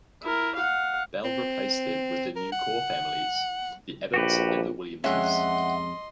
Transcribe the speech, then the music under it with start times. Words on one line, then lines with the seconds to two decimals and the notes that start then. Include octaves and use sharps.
Bell replaced them with the new core families, the Abbotts and the Williamses.
0.23 E4 A#4
0.56 F5 F#5
1.25 C4
2.36 A#4
2.52 F#5
4.14 A#1 F#4 G4 B4
5.04 F2 G#3 C#4 D#5 E5 F#5 C6 F#6